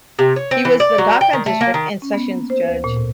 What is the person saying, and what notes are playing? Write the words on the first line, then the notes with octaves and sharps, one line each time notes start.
He was the Dhaka District and Sessions Judge.
C3
C#5
C4
E3
D5
F#3
G5
D#3
A3
A#3
D#3
C#4
B3
A#3
C5
D2
A#2
A2